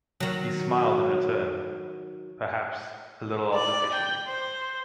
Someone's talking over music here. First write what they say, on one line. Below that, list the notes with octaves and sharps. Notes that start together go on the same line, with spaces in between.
He smiled in return — perhaps a little artificially.
D#3 F#3
D5
G5
C5